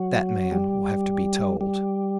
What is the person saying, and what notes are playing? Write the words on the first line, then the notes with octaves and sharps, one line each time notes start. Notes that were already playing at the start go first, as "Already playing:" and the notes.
That man will have to be told!
Already playing: F#3
G3
G3